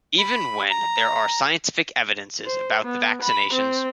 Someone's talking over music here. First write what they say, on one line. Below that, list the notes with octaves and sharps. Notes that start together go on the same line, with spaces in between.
Even when there are scientific evidences about the vaccinations.
B5
A#5
C5
B3
B5
C4